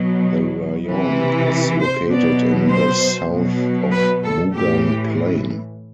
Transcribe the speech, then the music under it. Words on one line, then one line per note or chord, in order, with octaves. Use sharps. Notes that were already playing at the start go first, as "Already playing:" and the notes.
The rayon is located in the south of Mugan plain.
Already playing: B2 F#3
C3 E3
C5
B2 F#3 D5
C5
B2 F#3
B4
A4
A2 E3 G4